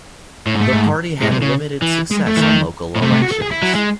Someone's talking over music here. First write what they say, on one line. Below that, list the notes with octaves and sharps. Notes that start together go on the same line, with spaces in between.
The party had limited success on local elections.
A2
G#2
A3
G#2
A2 G#3
C3
C#3
E3
G#3
A3
E3
D#3
A2
C3 A3
A3
F#4
A4
G#4
E4
F#3
G#3